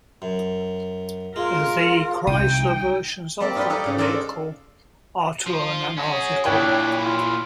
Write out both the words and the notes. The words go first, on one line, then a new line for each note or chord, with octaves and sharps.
The Chrysler versions of that vehicle are to earn an article.
F#2
G#3 F4 A#4
C2 D#4 G5 D#6
G3 A#3 C4 D5
D#4 F4 G4 B4
D#4 A4 D5
G#2 C#3
D4 A4 A#4 C5 D5
F3 F4
C#4 F#4 G#5
G#4 C#5
A#2 E3 D4 E4 C#5 G5
F4